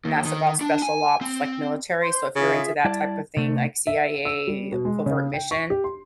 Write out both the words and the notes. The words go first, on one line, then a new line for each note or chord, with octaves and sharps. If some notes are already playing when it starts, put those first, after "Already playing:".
and that's about special ops like military, so if you're into that type of thing, like CIA covert mission,
D#2
D#3
D4
G#5
C4
C5 C6
C#3 F4 G#4 E5
G3 E4 D5 A5
C3 A3
E5
E6
G3
B2
G#3
C#3
G5
C#6
G4
C6